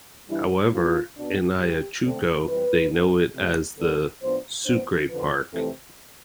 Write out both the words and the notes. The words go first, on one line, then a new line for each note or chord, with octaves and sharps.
However, in Ayacucho, they know it as the "Sucre park".
G2 E3 G3 D4 E4
G2 F3 C4 F4
B2 B3 D4
G2 E3 G3 G4
D3 A3 C4
F2 E3 G3 C4 B4
B2 B3 D4
C3 F3 A3
G2 D3 G3 B3 D4 A4
A2 F3 B3 D4 C5
F2 E3 B3 D4 C5
F2 D3 F3 B4
F2 C3 E3 A3 C4 A4